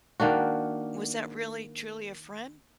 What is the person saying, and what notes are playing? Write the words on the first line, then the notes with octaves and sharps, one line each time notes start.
was that really truly a friend,
D#3 A#3 D4 F#4